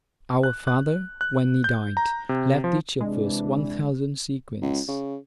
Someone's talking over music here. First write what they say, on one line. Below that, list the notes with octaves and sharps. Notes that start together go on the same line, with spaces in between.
Our father, when he died, left each of us one thousand sequins.
F#6
F#6
F#6
G6
A#5
C3
F3
C3 E3 G#3 D4
C#2
C#3